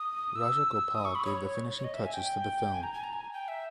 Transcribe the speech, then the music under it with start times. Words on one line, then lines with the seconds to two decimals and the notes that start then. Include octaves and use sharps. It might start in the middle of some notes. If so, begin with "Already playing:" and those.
Rajagopal gave the finishing touches to the film.
Already playing: D#6
0.35 E6
0.95 D#6
1.05 C#6
1.15 B5
1.25 C#5
1.77 C#5
1.84 D#5
1.94 E5
2.04 G#5
2.14 G5
2.74 G#5
2.83 A#5
2.94 G#5
3.04 A#5
3.13 G#5
3.33 G5
3.48 E5